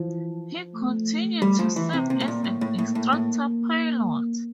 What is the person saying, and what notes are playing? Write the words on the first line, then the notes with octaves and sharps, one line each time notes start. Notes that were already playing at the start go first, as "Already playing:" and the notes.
He continued to serve as an instructor pilot.
Already playing: E3 F3
A3
G3
F3
E3
C3
C3 A#3
A2
A#2
A2
A2
A2
A2
A2